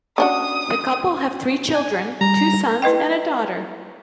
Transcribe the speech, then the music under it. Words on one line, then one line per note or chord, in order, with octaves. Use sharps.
The couple have three children, two sons and a daughter.
C#4 D4 F#4 D#6
G#5
G3 A#5
E4 B4 D#5 G5